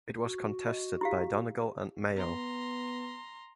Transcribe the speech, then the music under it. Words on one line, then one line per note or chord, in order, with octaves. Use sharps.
It was contested by Donegal and Mayo.
F#4
D#5
E4 G4 F5
B3 A#5 C6